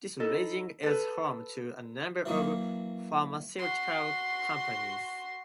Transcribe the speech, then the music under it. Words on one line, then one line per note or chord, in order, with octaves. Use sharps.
This riding is home to a number of pharmaceutical companies.
D#4 E4 A4 D#5
A4 B4
E3 F#3 A#3
F#4 C6